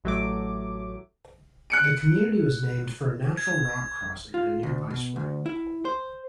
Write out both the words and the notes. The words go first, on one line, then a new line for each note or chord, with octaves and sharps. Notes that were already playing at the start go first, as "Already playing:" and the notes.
The community was named for a natural rock crossing at a nearby spring.
A1 F#3 A3 D6
F#6 C#7 D7
G#6
F4
D2
B2
D2
E4
C5